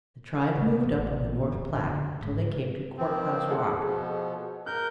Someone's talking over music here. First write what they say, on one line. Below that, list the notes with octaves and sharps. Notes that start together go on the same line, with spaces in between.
The tribe moved up on the North Platte, until they came to Court House Rock.
C3
A1
F2
D3
G#2
D#3 F3 C4
G#4 A4 F#5
B2 F3
A#4 F#6 G6